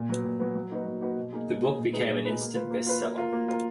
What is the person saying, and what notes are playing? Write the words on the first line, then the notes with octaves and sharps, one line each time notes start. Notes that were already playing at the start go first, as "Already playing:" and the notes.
The book became an instant bestseller.
Already playing: A#2
F#3 B3
A#2
F#3 B3
F#3
A#3 D#4 F#4 B4
F#3
A#3 D#4 F#4 B4
B2
A#3 D#4 G#4
B2
A#3 D#4 G#4
A#2
G#3 D#4 G#4 B4
A#2
G#3 D#4 G#4 B4
A#3
F4 B4
A#3
F4 B4
A#3
F4 A#4
A#3
F4 A#4